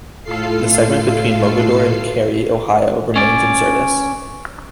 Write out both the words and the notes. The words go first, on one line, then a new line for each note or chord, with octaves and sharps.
The segment between Mogadore and Carey, Ohio, remains in service.
A2 F4 A4 F5 C7
C#4 D5